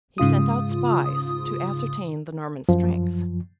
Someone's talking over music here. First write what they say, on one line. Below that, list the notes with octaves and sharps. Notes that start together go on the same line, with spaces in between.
He sent out spies to ascertain the Norman strength.
G#2 C#3 F4 D#6
F#2 F3